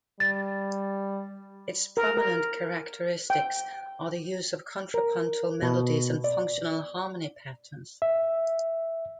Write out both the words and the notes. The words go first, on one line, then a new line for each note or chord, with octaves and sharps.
Its prominent characteristics are the use of contrapuntal melodies and functional harmony patterns.
G3 A6
A#4
A#4
G5
A#4
B2
D5
E5